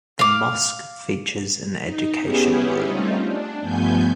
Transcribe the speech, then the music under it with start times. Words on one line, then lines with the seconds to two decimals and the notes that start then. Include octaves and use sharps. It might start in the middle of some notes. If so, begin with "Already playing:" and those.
The mosque features an education room.
0.19 F5 D6
1.81 D#4
2.19 B3 C#4 E4 G4 G#4
2.81 G3 A3 C4 C#4 D#4 F4
3.19 D4
3.60 G2 F3 A3 B3 G#5 G6